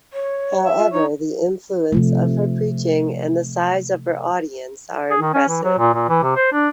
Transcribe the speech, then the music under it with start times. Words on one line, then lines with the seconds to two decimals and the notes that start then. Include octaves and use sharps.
However, the influence of her preaching and the size of her audience are impressive.
0.13 C#5
0.64 E5
0.78 F4
0.92 D#4 C#5
1.92 C3 F3 A3
5.10 G#4
5.22 D#3
5.34 C#4
5.49 E3
5.64 F#3
5.79 A#2
5.94 A#2
6.09 E3
6.23 C3
6.36 C5
6.53 D4